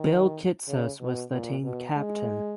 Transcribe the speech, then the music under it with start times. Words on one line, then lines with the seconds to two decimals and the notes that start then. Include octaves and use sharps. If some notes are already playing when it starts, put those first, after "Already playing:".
Bill Kitsos was the team captain.
Already playing: D#3
0.68 C#3
1.01 B2
1.32 A#2
1.64 B2
1.97 G#3